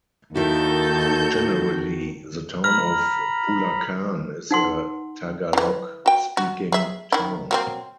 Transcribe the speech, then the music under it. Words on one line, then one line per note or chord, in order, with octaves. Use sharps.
Generally the town of Bulakan is a Tagalog speaking town.
D#2 D#3 E4 F#4 A4 G6
A#5 B5 F6
D#4 F#5 C6
C#3 E3
F#4 G5
F#4
G#4 E5
D#3 E4
F#3 A#3 C4